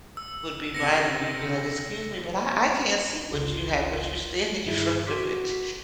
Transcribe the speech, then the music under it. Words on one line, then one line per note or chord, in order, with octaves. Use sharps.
would be writing and you'd be like, "Excuse me, but I I can't see what you have, 'cause you're standing in front of it."
E6
C3 D#3 C4 A#6 C#7
G1 C#2 F4
G2 D#3 E4 G#4
F#4 C6 D6 B6